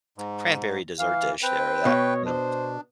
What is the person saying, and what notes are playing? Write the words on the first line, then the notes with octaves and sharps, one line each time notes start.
cranberry dessert dish there that, you know,
G#2
E3 F5
C4 B4 G5
B2 C#5
D4 C5